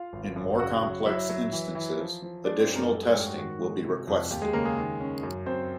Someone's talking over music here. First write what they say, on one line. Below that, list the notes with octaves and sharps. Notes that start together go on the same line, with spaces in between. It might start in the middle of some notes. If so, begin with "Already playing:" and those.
In more complex instances, additional testing will be requested.
Already playing: F4 F5
G#1
F#2
C#3 F#4 F#5
F#3
F#3 E4 E5
F#3
E3
E3
F3
F3
G#3 D4 D5
C4 C5
F#2
A#3 A#4
G3 A3 A4
G#3 G#4
G#2 G4
F#4
D#3 F#4
G#3
C3
F2
D#2 G4
G#3 G#4
C#3 A#3 A#4
G#3 G#4
D#3
C#4
F#2
F#2 C4 C5